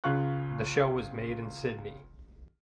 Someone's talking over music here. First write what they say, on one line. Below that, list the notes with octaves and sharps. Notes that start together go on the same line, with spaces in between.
The show was made in Sydney.
C#2 C#3 F4 F5 C#6 F#6